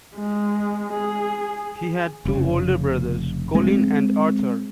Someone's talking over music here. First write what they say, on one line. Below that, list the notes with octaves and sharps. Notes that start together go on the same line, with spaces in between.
He had two older brothers, Colin and Arthur.
G#3
G#4
F1 C#3
G#3 C4